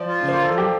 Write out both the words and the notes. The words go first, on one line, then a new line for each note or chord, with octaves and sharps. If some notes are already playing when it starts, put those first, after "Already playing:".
and we
Already playing: F3 D5
F4
A#3 C5
F3 A4
G4